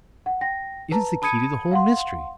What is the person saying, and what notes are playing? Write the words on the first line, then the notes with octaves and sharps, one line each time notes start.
It is the key to the whole mystery.
F#5
G5 A#6
B4 A5 A#5
A5 B5 D#6 G#6 C#7 D#7
F5 F#5 C6